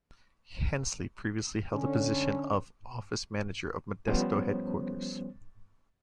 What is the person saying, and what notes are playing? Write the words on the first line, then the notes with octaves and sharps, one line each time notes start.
Hensley previously held the position of office manager of Modesto Headquarters.
D3 C#4
F3 G3 B3 C#4 C5 C#5